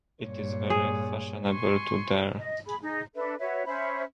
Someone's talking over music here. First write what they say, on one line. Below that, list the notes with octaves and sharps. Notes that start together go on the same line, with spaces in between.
It is very fashionable to dare.
G2 A#2 C#5
G#4
G#5 C6 C#6
D#5
G#4 B5
D#4 G#4
D4 A4 B4 E5
F#4 B4 C#5 E5
C#4 C5 E5 B5